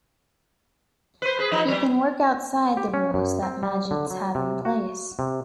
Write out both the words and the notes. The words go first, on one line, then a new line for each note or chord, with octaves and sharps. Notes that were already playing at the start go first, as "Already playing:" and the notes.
He can work outside the rules that magids have in place.
B4 C5
G#4 B4
F3 D#4
F#3
G4
C#4
F#2
C4
G3
D3
F#3
C3
F#4
C3